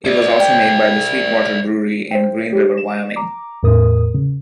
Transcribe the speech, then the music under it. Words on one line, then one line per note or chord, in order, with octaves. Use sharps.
It was also made by the Sweetwater Brewery in Green River, Wyoming.
C5 D5
G5
C5 E5 G5
G4 C#5
E7
A#5 D6
E2 A2 A#4 D#6
C#3